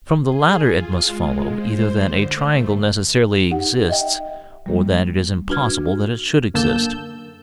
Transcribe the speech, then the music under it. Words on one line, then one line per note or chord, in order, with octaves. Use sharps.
From the latter it must follow, either that a triangle necessarily exists, or that it is impossible that it should exist.
G#4
F4
G#3
C5
D3
A3
D#4 G4 F#5
D#5 E5 G5
G3 A#3
D4 F#4 B4 F6 G#6
F#2 D3 A#3 A5 E6 G6